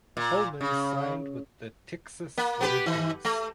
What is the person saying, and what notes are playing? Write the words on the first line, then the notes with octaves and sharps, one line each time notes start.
Holman signed with the Texas Legends.
A#2
C#3
A#3
B3 G4 B4
D#3
A3